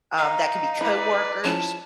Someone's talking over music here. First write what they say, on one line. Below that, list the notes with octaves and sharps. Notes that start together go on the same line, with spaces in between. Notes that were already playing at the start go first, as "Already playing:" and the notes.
um, that can be coworkers.
D#4 F5
E4 B4 D5
F3 C#4 E4 A5